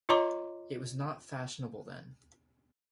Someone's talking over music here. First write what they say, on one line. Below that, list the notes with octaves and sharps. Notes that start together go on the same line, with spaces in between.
It was not fashionable then.
F4 C#5 D#5 A#5 C6 D6